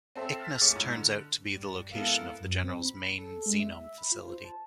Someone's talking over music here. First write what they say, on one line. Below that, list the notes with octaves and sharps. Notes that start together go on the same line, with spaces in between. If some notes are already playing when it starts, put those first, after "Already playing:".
Icnus turns out to be the location of the General's main Xenome facility.
C4 A4 C5 E5
F6 A6 B6
C2 A3 G#4 C#5 D6 C#7
G#2 E4
D3
G2
G#3 B3 E4 A4 A#4 F5
F#2
C4
B5
C#7
A4
G#3
E5
E5
B5
F4
C5
A5